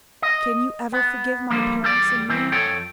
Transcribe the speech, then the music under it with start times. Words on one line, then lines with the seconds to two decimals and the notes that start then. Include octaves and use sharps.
Can you ever forgive my parents and me?
0.22 D#5
0.92 B3
1.50 D3 F3 G3 A#3
1.83 E2 G3 A4 D5
2.29 C2 E3 C4
2.52 F2 A4 C#5 G5